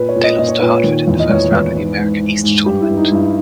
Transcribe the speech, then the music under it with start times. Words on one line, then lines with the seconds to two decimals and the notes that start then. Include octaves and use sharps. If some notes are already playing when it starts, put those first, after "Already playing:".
They lost to Hartford in the first round of the America East Tournament.
Already playing: A#2 B4
0.09 C#5
0.16 A#2
0.23 D#5
0.38 A#2 D#5
0.48 C#5
0.59 A#2 B4
0.69 C#5
0.84 D#3
1.07 E2
1.19 D#5
1.29 E2 C#5
1.52 E2 B4
1.75 G#2
1.98 G#2
2.20 G#2
2.44 G#2
2.66 G2 G4
2.81 E4
2.89 G2
2.97 D#4
3.12 G2 E4